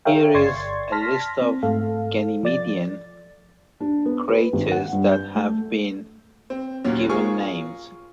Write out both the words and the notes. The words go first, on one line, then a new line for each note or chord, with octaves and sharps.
Here is a list of Ganymedean craters that have been given names.
G#4 A#4 C#5 E5 F5 G5
G1 D5 C6 C#6 G#6 A6
A5 C6 F6 A#6 B6
C4
G#2 A3 A4 F5
F3 D5 A6
D4
B3
B4
G#1
F#5
G2
G6
A3
C4
D#2 A#2 F#3 C#4
F4 G#4 A#4 G#5 C#6